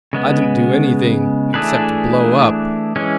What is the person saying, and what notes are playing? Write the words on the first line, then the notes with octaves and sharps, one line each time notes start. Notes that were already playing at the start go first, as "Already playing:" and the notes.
"I didn't do anything--except blow up."
C#3 G#3 B3
E3 A3 D4 G#4 B4
E3 G#3 C#4